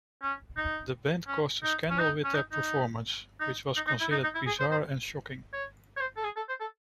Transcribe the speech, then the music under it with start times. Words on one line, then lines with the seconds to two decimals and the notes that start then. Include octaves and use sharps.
The band caused a scandal with their performance, which was considered bizarre and shocking.
0.22 C#4
0.57 D#4
1.28 C#4
1.63 D#4
1.90 C#4
1.99 D#4
2.24 C#4
2.34 D#4
2.53 D#4
3.40 D#4
3.77 D#4
3.88 D#4
4.00 E4
4.12 D#4
4.24 D#4
4.35 E4
4.47 G#4
4.60 C5
4.71 C5
5.53 C#5
5.97 C#5
6.01 C5
6.17 A4
6.24 G#4
6.36 A4
6.49 C5
6.60 A4